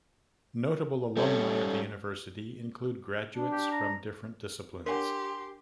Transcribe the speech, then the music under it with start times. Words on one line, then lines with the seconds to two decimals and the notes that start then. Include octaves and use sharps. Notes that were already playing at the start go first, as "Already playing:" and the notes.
Notable alumni of the University include graduates from different disciplines.
1.17 G3 C#4 A4
3.35 D4
3.52 G4
3.72 A#5
4.86 D4 G4 A#4 C#5 F#5 G#5 C6